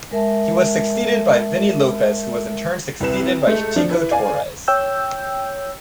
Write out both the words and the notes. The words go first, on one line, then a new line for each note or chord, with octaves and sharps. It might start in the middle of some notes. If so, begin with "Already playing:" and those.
He was succeeded by Vini Lopez who was in turn succeeded by Tico Torres.
G#3 A#4 E5 A5
C2 C3 B4 E7
G#3 A3
F3 D4
E4 B4
D5 F5 G#5
C#5 G5 E6 G6